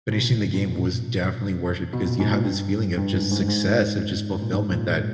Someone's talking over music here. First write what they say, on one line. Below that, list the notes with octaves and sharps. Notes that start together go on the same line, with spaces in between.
finishing the game was definitely worth it, because you have this feeling of just success, of just fulfillment that,
B2
A#2
G#2
A#2
B2
B2
A#2
G#2
A#2
G2
G2
G#2
G#2
G#2
A#2
G#2
G#2
A#2
G#3